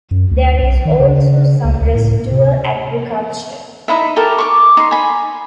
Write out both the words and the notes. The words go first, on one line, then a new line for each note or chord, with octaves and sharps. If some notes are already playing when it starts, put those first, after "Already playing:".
There is also some residual agriculture.
F#2
D2
B1
D#3
C#3
C#2
D2
A2
C3
D#4 E4 E5
G4 A4 A#4 A5
C#6 D6
D#4 C6
G#5 B5